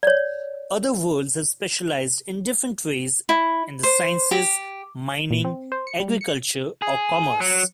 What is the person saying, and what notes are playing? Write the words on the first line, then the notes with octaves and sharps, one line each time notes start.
Other worlds have specialized in different ways, in the sciences, mining, agriculture or commerce.
C#5 D5
E4
C5
G4
A#2
C4
C5
C#7
G3
C#7
G#4
F#3